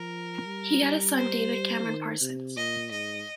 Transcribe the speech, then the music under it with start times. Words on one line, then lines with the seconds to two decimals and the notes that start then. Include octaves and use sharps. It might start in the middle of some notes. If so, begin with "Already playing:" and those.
He had a son, David Cameron Parsons.
Already playing: F3 A#4
0.45 G3
0.82 G3
1.17 C5
1.87 D#3
2.21 C3
2.57 A#2 D#5
2.91 G#2 D#5